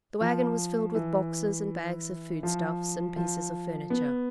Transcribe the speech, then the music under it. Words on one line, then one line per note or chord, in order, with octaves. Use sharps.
The wagon was filled with boxes and bags of food stuffs and pieces of furniture.
F3
E3
F3
F3
B3